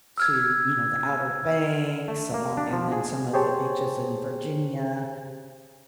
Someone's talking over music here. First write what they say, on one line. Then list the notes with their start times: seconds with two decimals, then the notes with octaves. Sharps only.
to, you know, the Outer Banks alon and then some of the beaches in Virginia
0.18 E6 F6 G#6
2.08 A3
2.34 A#3
2.57 D4
2.73 F3
2.92 G#4
3.33 G4 G#4 C5 C#5 G5 A5